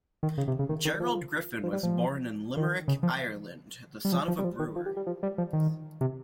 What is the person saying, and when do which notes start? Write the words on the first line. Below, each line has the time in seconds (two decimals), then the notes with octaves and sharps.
Gerald Griffin was born in Limerick, Ireland, the son of a brewer.
0.23 D#3
0.38 C#3
0.48 C3
0.59 C#3
0.69 D#3
0.85 D#3
1.00 F3
1.63 F3
1.73 G3
1.83 F3
2.57 D#3
2.88 C#3
3.03 F3
4.05 G3
4.12 F3
4.28 F3
4.39 G3
4.44 F3
4.59 D#3
4.76 F3
4.86 G3
4.97 G3
5.07 F3
5.23 G3
5.38 F3
5.53 D#3
6.01 C3